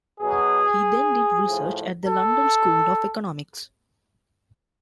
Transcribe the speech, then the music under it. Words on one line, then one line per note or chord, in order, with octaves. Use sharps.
He then did research at the London School of Economics.
B2 F#3 G#4
A2 F3
A4